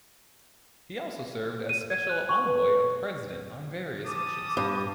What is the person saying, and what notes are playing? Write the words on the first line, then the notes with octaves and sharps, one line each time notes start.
He also served as Special Envoy of the President on various missions.
D#7
G#6
F#6
C#6
B4
C#4 A5 D6 D#6
G2